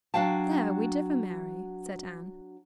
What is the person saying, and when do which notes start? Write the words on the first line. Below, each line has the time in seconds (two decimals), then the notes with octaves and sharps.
"There we differ, Mary," said Anne.
0.14 F#3 D4 F#4 F5 G5 A5